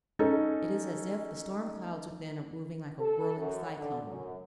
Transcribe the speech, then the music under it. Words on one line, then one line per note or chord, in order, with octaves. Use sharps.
It is as if the storm-clouds within are moving like a whirling cyclone.
C#4 D#4 A4
A4
F#2
D3
F#2